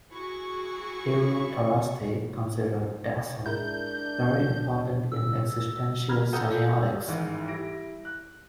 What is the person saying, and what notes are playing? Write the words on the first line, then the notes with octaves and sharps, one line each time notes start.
Eero Tarasti considered "Dasein" very important in "Existential Semiotics".
E4 F#4 G#4 C#6
G#3 D4 E4 A#4 G6
E6
A#5 B5 F6 G#6
A4 F#5 A#5 D#6 E6 G6
A1 G#2 D#3 E3
G3 E4 A#6 D7
F#6